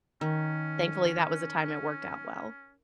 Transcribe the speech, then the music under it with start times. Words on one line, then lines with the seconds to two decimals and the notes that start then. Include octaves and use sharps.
thankfully, that was the time it worked out well.
0.21 D#3 C#4